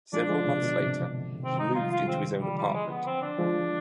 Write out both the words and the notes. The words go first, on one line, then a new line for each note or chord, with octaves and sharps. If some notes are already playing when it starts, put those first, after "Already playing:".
Several months later, he moved into his own apartment.
F3 G#3 D4
F3 G#3
C3
B2 D3
B2
G#2 C3
B2 D3
C3 D#3 C4
D#4
G3
F3 G#3 F4
F4
G#3
D#3 G3 C4
D3 F3 G3
G3
G#3
B3
C4
D4
F3 G#3